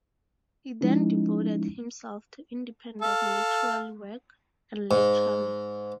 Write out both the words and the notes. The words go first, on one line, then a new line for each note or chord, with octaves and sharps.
He then devoted himself to independent literary work and lecturing.
F3 G#3 C#4 D#4 E4
A4 F5
G#2